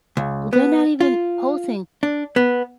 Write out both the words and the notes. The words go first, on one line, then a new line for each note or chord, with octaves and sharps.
they're not even posting,
C#2
B3
F4
D4
B3